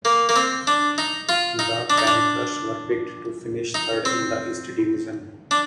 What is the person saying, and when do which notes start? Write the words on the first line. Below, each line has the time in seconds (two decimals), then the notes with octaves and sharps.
The Panthers were picked to finish third in the East Division.
0.05 A#3
0.29 A#3
0.36 C4
0.67 D4
0.98 D#4
1.29 F4
1.59 D#4
1.90 D4
1.98 D#4
2.07 D4
3.74 D#4
4.05 C4
5.51 D4